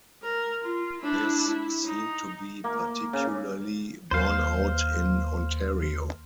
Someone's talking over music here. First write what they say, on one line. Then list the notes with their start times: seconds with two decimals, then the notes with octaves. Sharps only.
This seemed to be particularly born out in Ontario.
0.23 A#4
0.61 F4
1.00 D4 E4
1.48 E4
1.85 D#4
2.64 A#3
3.13 C#3
4.11 D#2 A#3 C5 F5